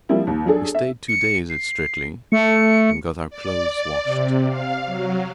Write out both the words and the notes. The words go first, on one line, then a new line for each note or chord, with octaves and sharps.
We stayed two days at Streatley, and got our clothes washed.
F3 G3 A#3 C4 E4
D#2
F#3 D4 G#4 A4
E5
C#7
C7
A3 C#7
D5
C3
F5
F#3